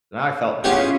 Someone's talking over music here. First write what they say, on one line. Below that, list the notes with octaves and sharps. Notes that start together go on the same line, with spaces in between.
Then I felt bad.
B3 C#4 E4 F4 G4 G#4